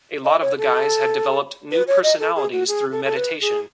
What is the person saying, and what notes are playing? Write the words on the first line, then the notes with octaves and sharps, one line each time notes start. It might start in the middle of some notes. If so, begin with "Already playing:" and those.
A lot of the guys had developed new personalities through meditation.
D#5
C#5
A4
B4
C#5
D#5
A4
G#4
F#4
G#4
A4
A4
B4
G#4